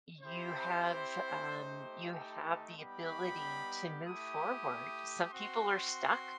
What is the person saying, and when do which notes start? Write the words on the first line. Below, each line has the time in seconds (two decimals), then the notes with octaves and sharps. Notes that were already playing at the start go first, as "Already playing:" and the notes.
You have, um, you have the ability to move forward, some people are stuck,
0.21 C4 E4 G4 C5
1.50 A3 D#4 G4
2.13 A5
2.77 G3 B3 D#4 G4 B5
4.04 A3 E4 G4 D#6
5.32 C4 F#4 C6